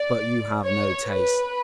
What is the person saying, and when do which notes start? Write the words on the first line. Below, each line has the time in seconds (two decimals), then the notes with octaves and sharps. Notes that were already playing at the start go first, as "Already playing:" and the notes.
But you have no taste!
Already playing: D5
0.65 C#5
1.06 B4